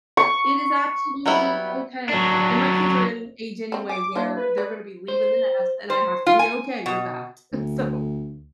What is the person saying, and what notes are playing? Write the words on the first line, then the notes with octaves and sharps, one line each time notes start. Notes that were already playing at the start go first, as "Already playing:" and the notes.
it is absolutely okay, and my kids are at an age anyway where they're gonna be leaving the nest, and I have to be okay with that. So
C#6
F#3 G3 B3 E4
F#3 D4
C4 B5
G#5 D6
A#3 D4 E4 C5
B4
D5
C5
C5
F4
G#5
B2
D2